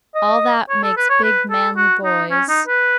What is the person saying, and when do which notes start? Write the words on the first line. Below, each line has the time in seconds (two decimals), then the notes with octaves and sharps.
All that makes big, manly boys.
0.15 D#5
0.70 C#5
0.83 A4
0.97 B4
1.10 C#5
1.23 B4
1.50 A4
1.77 F#4
2.05 D#4
2.31 C#4
2.49 D#4
2.67 B4